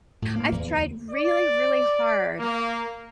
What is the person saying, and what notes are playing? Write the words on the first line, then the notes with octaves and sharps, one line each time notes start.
I've tried really, really hard
A2
A#3
E2
D2
D5
A#3